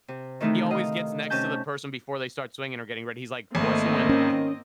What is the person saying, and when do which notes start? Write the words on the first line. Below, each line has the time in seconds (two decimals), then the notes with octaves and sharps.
he always gets next to the person before they start swinging or getting ready. He's like, "Watch the wind."
0.08 C3
0.40 D#3 E3 A3 C4 D#4
0.71 D#5 F5
1.30 C3 C#4 A5 G6
3.55 G#1 A3 A#3 C4 D#5
4.09 D#3 C#4